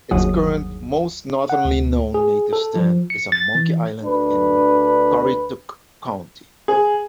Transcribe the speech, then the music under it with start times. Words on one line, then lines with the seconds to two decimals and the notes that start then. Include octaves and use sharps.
Its current most northerly known native stand is on Monkey Island in Currituck County.
0.11 G1 D#2 F#3 G#4 F#5 D#6
1.49 F#5
1.65 D2
2.14 G#4
2.53 A4
2.76 F3
3.10 C#7
3.32 A6
3.55 E3
4.03 D2 D4 B4
6.68 G#4